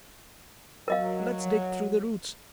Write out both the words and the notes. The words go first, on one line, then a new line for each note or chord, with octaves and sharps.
Let's dig through the roots.
F#3 A#4 D#5 F5